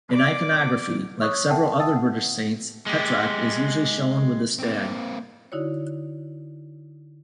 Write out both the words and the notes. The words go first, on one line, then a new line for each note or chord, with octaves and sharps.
In iconography, like several other British saints, Petroc is usually shown with a stag.
D5 D6
C#5 C#6 D#6 E6 F#6
A4 A#4 E5 F#5 G5 A5
E5 G5 A5 D#6 E6 A6
F#5
G#3 G4
A#3 C4
D3 D#4 E4 F#4 C#5